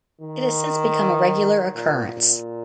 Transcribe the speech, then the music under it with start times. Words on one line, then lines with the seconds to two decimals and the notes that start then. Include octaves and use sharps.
It has since become a regular occurrence.
0.21 D#3
1.75 A#2
2.06 A#2